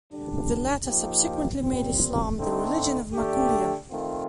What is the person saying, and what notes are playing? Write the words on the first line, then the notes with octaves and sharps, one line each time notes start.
The latter subsequently made Islam the religion of Makuria.
D3 G3 D4
F3 A#3 D#4 G4
A#2 G3 C4
D3 A3 C4 D#4
D3 A3 D4 G4
D#3 A3 C4 F4